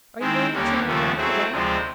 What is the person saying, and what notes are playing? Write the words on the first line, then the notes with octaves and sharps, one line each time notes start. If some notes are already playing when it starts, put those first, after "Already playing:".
"Are you going to try and raffle that?"
D#3 G#3 C4 E4
D#2 D3 G3 A#3 C#4
D#2 C#3 F3 A3 C#4
F#3 A3 C4 E4 G#4
D2 C3 F3 G#3 C4